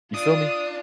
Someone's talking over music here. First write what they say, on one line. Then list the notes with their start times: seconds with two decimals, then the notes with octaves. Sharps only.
You feel me?
0.14 D4 F4 D#6